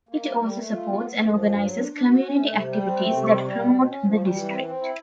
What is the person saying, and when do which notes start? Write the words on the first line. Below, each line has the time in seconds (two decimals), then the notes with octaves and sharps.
It also supports and organizes community activities that promote the District.
0.09 A#3
0.24 G3
0.40 G3
0.55 A3
0.70 F4
0.85 B3
1.00 B3
1.15 F#2
1.31 F3
1.46 G2
1.61 F#3
1.76 D4
1.92 D4
2.07 F#4
2.22 C#4
2.37 A3
2.53 C3
2.68 G3
2.83 C4
2.98 A3
3.13 C3
3.28 G3
3.44 G3
3.59 B2
3.74 B2
3.89 C#4
4.04 F3
4.19 G3
4.34 E3
4.50 C4
4.65 C4
4.80 E4